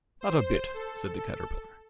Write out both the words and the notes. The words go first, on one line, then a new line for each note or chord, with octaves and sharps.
'Not a bit,' said the Caterpillar.
C5
A4